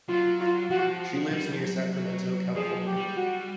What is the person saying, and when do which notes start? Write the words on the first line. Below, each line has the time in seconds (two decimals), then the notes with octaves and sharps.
She lives near Sacramento, California.
0.08 F#3 F4
0.40 F4
0.70 F3 F#4
1.32 G3
1.53 F3
1.63 F#3
2.55 F3 G#4
2.76 F#3
2.86 G4
2.96 G3
3.16 F#4